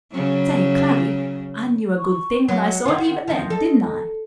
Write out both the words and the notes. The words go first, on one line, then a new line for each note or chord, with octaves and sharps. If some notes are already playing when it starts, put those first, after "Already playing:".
"Say, Cloudy, I knew a good thing when I saw it even then, didn't I?"
C#3 F#3
C#6
F#3 F#5
D#3 F4
D#3 F3 D#5
A4